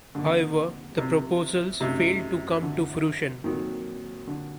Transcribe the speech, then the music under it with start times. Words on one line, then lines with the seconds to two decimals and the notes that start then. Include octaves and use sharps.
However, the proposals failed to come to fruition.
0.15 A#2 D3 G3 C4 D#4
0.98 C3
1.80 F#2 C3 F#3 A3 C4 D#4
2.62 D3
3.44 A#2 D#3 F#3 C4 F#4 A4
4.27 D3